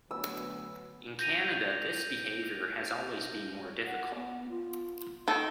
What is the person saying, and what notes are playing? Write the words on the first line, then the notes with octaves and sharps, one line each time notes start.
In Canada, this behaviour has always been more difficult.
D2 F#3 B3 E6
G6 A#6 D#7 F7
F#5
B3
F4
D#3 A4 D#5